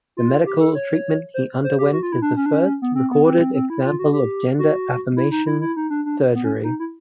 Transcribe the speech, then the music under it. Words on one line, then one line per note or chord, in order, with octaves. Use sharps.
The medical treatment he underwent is the first recorded example of gender affirmation surgery.
F4
G4
A4
C#5
C5
C5
G4
F#4
F4
E4
D4
C#4
D4
C#4
B3
C4
B3
C4
C4
C4
E4
F4
F#4
G4
F#4
E4
D#4
E4
E4
D#4
D4
D4
B3
C#4
D#4
E4